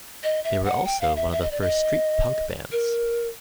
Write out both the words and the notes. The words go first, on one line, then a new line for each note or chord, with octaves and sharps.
They were also one of the first street punk bands.
D#5
E5
F#5
G5
F5
E5
E5
D#5
D5
D#5
A#4